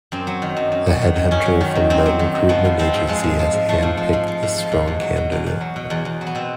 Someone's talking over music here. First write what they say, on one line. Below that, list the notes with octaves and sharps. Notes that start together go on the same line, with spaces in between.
The head hunter from the recruitment agency has hand-picked this strong candidate.
F#2 C4
F#3
D#3
F#2
F#2
F#3
D#3
F#2
F#2 C#4
F#3
D#3
F#2
F#2 C4
F#3
D#3
F#2
F3 B3
G#2
F3 C4
G#2
F3 G#3
G#2
F3
G#2
F3 A3
G#2
F3
G#2
F3
G#2
F3
G#2
E2
F#3
B2
E2
E2
F#3
B2
E2
E2
F#3
B3
B2 C4